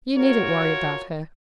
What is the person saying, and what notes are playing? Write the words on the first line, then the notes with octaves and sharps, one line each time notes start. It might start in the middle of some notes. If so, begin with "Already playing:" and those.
You needn't worry about her.'
F4 F#4 A#4 C#5